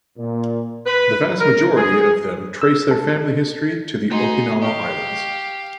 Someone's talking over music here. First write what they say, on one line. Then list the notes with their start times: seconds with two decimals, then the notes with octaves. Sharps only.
The vast majority of them trace their family history to the Okinawa Islands.
0.18 A#2
0.86 B4
1.40 A#4
1.76 G#4
2.62 E6
2.91 A4
4.09 A3 D#4 F#4 G#4 C6
4.62 G4 D#5 F5 C#6